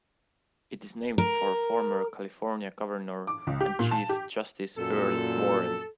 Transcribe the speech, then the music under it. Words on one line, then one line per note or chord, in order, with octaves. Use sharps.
It is named for former California Governor and Chief Justice Earl Warren.
A#4
D6
C#2
G4
A#2
A5
G4
F#2 A#2 A4